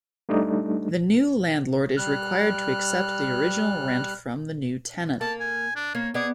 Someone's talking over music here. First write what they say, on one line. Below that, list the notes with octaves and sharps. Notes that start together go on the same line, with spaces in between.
The new landlord is required to accept the original rent from the new tenant.
G3 A3 D4 D#4
G3 F6 F#6
A#3 A5
G#5
D4
A#3 C#5
B3 G#4 D5